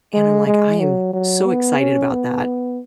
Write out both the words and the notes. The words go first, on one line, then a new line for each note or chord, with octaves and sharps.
and I'm like, "I am so excited about that."
G#3
G#3
F#3
F#3
B3
C#4
B3